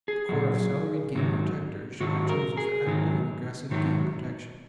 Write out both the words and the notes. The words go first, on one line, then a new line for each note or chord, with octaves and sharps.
A corps of salaried game protectors should be chosen for active and aggressive game protection.
G#4
A#2 F#3
G#2 D#3 F#3
G#2 D#3 F#3 F#4
A#4
G#4
G#2 D#3 F#3
G#2 D#3 F#3